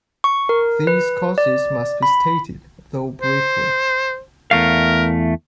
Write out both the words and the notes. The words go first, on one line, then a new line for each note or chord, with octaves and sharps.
These causes must be stated, though briefly.
C#6
A#4
B4
D5
B5
C5
E2 A3 A#4 F5